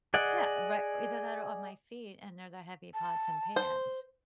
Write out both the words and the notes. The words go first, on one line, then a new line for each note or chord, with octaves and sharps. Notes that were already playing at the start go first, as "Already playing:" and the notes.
Yeah, right, either that or on my feet, and they're the heavy pots and pans.
G#4 D5 D#5 F#5
A5
C5